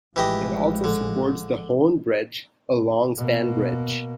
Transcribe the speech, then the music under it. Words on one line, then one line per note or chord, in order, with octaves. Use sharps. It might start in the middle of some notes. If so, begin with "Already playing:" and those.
It also supports the Hoan Bridge, a long span bridge.
A1 E3 F3 G#3 G4 D#5
D3
B2 A#3